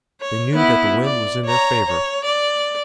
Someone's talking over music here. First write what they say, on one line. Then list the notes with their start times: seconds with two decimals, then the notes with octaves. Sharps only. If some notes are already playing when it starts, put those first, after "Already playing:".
They knew that the wind was in their favor.
0.21 C#5
0.54 B3 E4
1.04 D5
1.45 C#5 A#5
1.86 C#5
2.25 D5